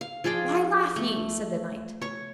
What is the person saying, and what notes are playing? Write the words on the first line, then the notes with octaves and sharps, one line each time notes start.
Why laugh ye? said the knight.
F5
F3 G#4 D5 G5
A3
C#5 C#6